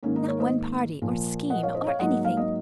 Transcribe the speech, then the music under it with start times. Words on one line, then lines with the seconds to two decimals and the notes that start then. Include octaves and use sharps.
Not one party, or scheme, or anything.
0.03 G#2 D#3 A#3 C#4
0.16 D#4
0.28 A#4 C#5
0.40 C5 D#5
1.02 A#2 F3 A#3
1.50 D#5 F#5
1.63 C#5 F5
1.74 C5 D#5
1.87 C#5 F5
1.99 G#2 F#3 A#3 D#5 F#5
2.25 F5
2.37 D#5